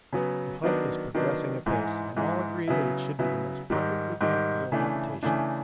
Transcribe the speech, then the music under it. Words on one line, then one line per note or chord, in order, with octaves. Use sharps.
The hut is progressing apace, and all agree that it should be the most perfectly comfortable habitation.
C#3 F#3 B3
D#3 F#3 B3 D4
D#3 F#3 B3 D4
G#2 E3 G#3
G#2 E3 G#3
C#3 F#3 B3 E4
C#3 F#3 B3 E4
G#2 D#3 G3
G#2 D#3 G3
C#3 E3 A3 D4
C#3 E3 A3 D4